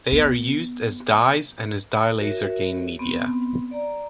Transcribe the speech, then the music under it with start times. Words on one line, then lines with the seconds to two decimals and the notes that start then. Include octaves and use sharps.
They are used as dyes and as dye laser gain media.
0.12 B3
2.19 F#4 A#4 C#5 E5
2.99 B3 C4
3.71 D5 A#5